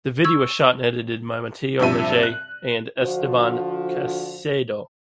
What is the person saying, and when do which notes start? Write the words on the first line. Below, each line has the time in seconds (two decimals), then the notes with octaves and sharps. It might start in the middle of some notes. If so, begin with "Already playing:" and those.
The video was shot and edited by Mateo Mejia and Esteban Caicedo.
0.25 C#6 E6 G#6
1.80 G2 C3 F3 E5 D#7
2.23 F#6
2.99 D3 F3 F#4